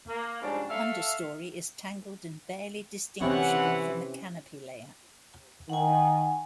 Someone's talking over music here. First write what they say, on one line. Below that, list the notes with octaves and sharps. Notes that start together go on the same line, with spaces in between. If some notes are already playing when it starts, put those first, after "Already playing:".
Understorey is tangled and barely distinguishable from the canopy layer.
A#3
G#2 C#3 F3 G3 C#4 D4
A3 A4 E5 F5
C3 E3 C4 C#4 E4 C#5 D#5 F#5
D#3 F#5 G#5